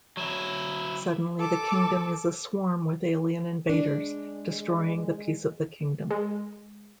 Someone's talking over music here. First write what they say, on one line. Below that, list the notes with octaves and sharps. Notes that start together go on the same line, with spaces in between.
Suddenly the Kingdom is aswarm with alien invaders, destroying the peace of the kingdom.
F#3 E4
A4 D6
G#3 D4
G#3